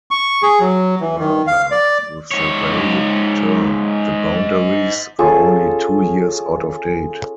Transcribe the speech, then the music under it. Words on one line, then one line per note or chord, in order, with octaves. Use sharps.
Rather, with the varied term, the boundaries are only two years out of date.
C#6
G#4
F#3
E3
D#3
F5
D5
G#2 C#5
C#4 F4 G#4 A4